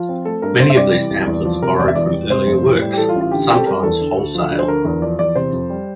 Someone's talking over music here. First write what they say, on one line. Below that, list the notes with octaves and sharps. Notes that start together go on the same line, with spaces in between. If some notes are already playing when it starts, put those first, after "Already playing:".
Many of these pamphlets borrowed from earlier works, sometimes wholesale.
Already playing: F3 F4
C4
A3 A4
G2 A#4
C3 C5
E5
G3 D5
E3
C2
E2
F3
C3 A#4
E1 D5
E5
E2 D5
G3
C3 C5
F1
A2
G3
G4
E3 A4
F4
A1
F4
D3 G4
C4 G4
A4
G3 A#4
E2 A4
D3
D2
F3
D2
C5
D3 A#4
E2 A#4
F3 D5
E2 D5
C3 C5
F2
G3